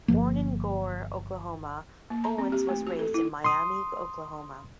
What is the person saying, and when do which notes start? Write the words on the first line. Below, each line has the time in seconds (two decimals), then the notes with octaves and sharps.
Born in Gore, Oklahoma, Owens was raised in Miami, Oklahoma.
0.08 G1 D#2 F3 A#3
2.10 A#3
2.24 A#5
2.38 C4
2.52 G4
2.69 A3
2.87 F#4
2.99 A4
3.14 E4
3.44 C6 D#6